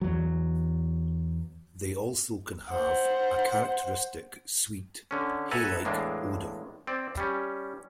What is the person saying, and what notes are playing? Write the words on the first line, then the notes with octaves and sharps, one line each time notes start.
They also can have a characteristic sweet, hay-like odor.
E2 F#3
C5 F#5
D3 C#4
A4 B4 E5 F#5 G#5 A#5
E2 A2 G#3 A#3 D4
C4 D5
G3 C#4